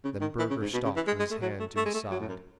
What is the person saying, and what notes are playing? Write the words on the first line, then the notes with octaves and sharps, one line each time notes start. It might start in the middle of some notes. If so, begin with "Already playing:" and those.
Then Burger stopped with his hand to his side.
C#3
D#3
E3
C#3
G#2
B2
C#3
E3
G#3
G#3
A3
F#3
A3
A3
G#3
A3
F#3
A2
F#2